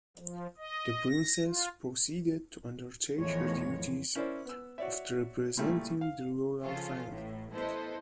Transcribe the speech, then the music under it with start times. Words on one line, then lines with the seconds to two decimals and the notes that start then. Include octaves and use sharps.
The princess proceeded to undertake her duties of representing the Royal Family.
0.17 F3
0.57 D#5
1.08 A#6
1.46 F4
3.18 E2 A2 D#3 F3 G#3 C#5
4.15 C#4 E4 A#4 C5 D5
4.45 B3 E6
4.78 F#4 C#5 D5 E5
5.57 A#2 C#3 G3 A3 C#4 E4
6.01 F5
6.63 C#3 F3 C#4 F4 A4
7.08 A1 A2
7.53 B3 E4 A4 C5 D#5